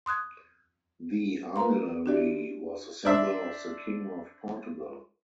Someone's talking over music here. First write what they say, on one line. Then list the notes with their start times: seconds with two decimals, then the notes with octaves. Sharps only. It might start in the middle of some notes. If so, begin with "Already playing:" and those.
The armillary was a symbol of the king of Portugal.
0.06 C6 D#6 F#6 G#6
1.56 A#4 B4 F5 A#5 C6
2.06 D4 E4 F#4 G4 D5 E5
3.05 D4 C5 E5